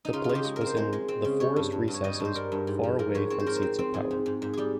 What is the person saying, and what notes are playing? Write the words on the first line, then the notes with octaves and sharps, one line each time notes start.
The place was in the forest recesses far away from seats of power.
D#4
C#3 F4
F4
C#3
G4
G#3 G#4
A#4
C4
C5
G#3 C5
G#3
C4
C#3
G3 C#5
G2
G2
G2
C#5
G3 D#5
C#5
G2 C5
G3 A#4
G2
G#2
F3
G#2 A#4
G#2 C#5
C4 C#5
C5
G#2 A#4
C5
C4
C4
G#2 G#4
G#2
G#2
G#2
G3 G4 G#4